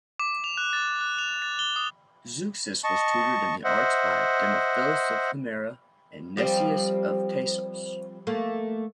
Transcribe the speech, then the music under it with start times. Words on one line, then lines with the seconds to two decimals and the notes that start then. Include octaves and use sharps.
Zeuxis was tutored in the arts by Demophilus of Himera and Neseus of Thasos.
0.19 D6
0.44 F7
0.57 F#6
0.73 A6
1.01 F#6
1.19 F7
1.42 A6
1.59 G7
1.76 D#6
2.84 D#5 A5 C#6
3.64 C5 D#5 E5 F#5
6.37 F3 G3 C4
8.27 A3 A#3